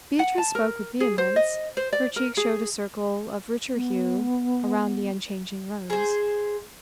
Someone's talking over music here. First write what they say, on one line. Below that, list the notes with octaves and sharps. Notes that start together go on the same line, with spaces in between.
Beatrice spoke with vehemence; her cheeks showed a circle of richer hue around the unchanging rose.
F#5
A5
A#4
G#4
C5
D#5
C5
D5
A#4
G#4
B3
G#4 C5